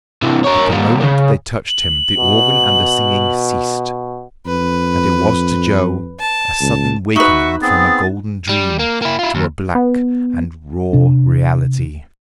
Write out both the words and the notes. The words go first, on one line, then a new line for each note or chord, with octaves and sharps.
At the moment that they touched him the organ and the singing ceased; and it was to Joe a sudden wakening from a golden dream to a black and raw reality.
C3 E3
A#4 C#5
D#3 G3
C#3
F#7
B2
F2 B4
A5
C#2
D#4 F#4 B4 E5 C#6
B3 C4 G#4 A6
G3
A#3
A#3 E4
E4 F4
D#2
B3
C3 D4